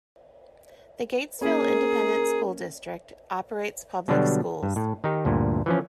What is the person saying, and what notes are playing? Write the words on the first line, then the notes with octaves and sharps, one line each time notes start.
The Gatesville Independent School District operates public schools.
A#3 C#4 G#4 A#4
B2 D3 F#3 G3 B3 D4
G2
A2
D#3 D#4 G4
D2 G2 A#2
E3 F3 C#4